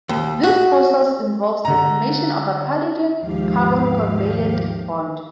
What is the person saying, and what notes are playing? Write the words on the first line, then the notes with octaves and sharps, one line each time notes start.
This process involves the formation of a palladium-carbon covalent bond.
D#2
F#4
D3 A#5
D#2 G#2 F3 G4 F5